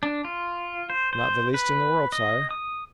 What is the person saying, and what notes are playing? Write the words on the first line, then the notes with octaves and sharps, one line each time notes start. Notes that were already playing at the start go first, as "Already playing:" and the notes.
"Not the least in the world, sire."
D4
F4
C5
C5
B4
D#5
D#6